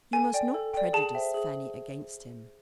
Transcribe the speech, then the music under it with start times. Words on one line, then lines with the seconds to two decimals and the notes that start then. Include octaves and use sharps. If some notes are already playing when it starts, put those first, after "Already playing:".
You must not prejudice Fanny against him.
0.13 A4 G#5
0.34 D5 G5
0.54 A4
0.73 D5 G5
0.93 G#4 A5
1.14 C5 E5 G5
1.34 G#4